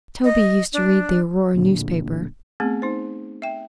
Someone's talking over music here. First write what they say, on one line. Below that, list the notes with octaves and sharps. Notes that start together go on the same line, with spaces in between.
Toby used to read the Aurora newspaper.
D#5
D4
D1 A#2 D3 F3
A3 B3 C4 G#4
D#4 C5
E5 G5